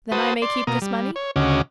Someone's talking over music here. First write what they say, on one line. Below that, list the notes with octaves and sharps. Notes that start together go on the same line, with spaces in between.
"Then I may keep this money?"
F#4 B4 C5 A5 D#6
D5 C6
B2 A#3 A#5 D#6
G3
C#5
D2 C#3 C#4 F#4 D#5 D6